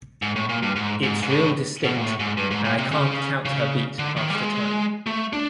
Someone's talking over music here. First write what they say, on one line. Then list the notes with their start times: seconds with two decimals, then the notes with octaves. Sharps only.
It's real distinct, and I can't count her beat half the time.
0.22 G#2
0.36 A2
0.49 A#2
0.62 G2
0.76 G#2
1.03 G#2
1.22 G#2
1.30 A2
1.84 B2
1.96 A#2
2.01 A2
2.20 G#2
2.37 G2
2.51 G#2
2.65 A#2
2.78 C3
2.91 C#3
3.45 C#3
3.99 D3
4.17 D#3
4.30 G3
4.34 G#3
5.06 A3
5.33 D4